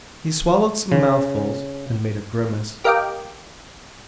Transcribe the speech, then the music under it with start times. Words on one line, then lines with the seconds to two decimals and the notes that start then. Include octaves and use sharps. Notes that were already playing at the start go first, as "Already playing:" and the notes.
He swallowed some mouthfuls and made a grimace.
0.92 C#3
2.84 G4 A#4 D#5 F5 G5 D6